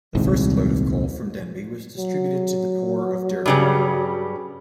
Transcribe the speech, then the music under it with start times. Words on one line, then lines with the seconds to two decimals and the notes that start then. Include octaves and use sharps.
The first load of coal from Denby was distributed to the poor of Derby.
0.15 D#1 C2 G#2
1.97 F#3
3.46 G2 C#3 G3